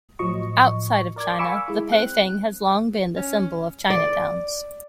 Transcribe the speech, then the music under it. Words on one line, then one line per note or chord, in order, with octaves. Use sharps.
Outside of China, the paifang has long been the symbol of Chinatowns.
A2 F3 F#3 D#5 C#6
A#4 D5 D6 G#6
F5 G#5 B5 C#6 D6 E6
G#3 E4
C4 F#6
C#4
D5